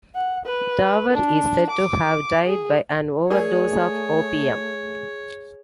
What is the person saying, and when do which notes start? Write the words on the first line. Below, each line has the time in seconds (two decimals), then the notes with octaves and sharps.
Davar is said to have died by an overdose of opium.
0.15 F#5
0.46 B4
1.13 D4
1.70 D6
2.46 G#4
3.30 A3 G#4 A#4 C#5 D5 C#6